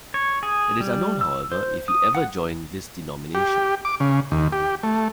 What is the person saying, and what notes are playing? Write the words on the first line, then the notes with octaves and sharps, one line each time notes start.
It is unknown, however, if he ever joined this denomination.
C#5
G#4
G3
E6
C5
D#6
F#5
G4
D6
C#3
D#2
G4
A3